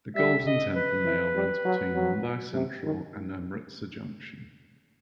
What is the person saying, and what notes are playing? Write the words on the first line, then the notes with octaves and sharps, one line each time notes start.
The Golden Temple Mail runs between Mumbai Central and Amritsar Junction.
G3 E5
D#5
B4
E3
G3
F#3
F#3
C3
D#3